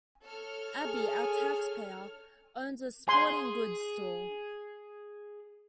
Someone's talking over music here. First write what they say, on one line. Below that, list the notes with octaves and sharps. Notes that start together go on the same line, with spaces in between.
Abby, our taxpayer, owns a sporting goods store.
A4 C#5 F6
G#4
G#4 G#5 C6